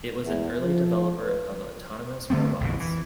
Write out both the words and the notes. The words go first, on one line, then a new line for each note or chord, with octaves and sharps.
It was an early developer of autonomous robots.
E2
F3
B4
D3 A3 B3 C4
A#1 F2 D#3 E3
E3